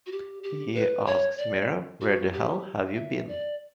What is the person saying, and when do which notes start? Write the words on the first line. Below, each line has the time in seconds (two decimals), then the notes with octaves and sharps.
He asks Mera "Where the hell have you been?".
0.06 F#4
0.12 G4
0.43 G4
0.75 B4
1.06 C#5
1.38 D5
2.01 F#4
2.33 G4
2.96 E5
3.27 D5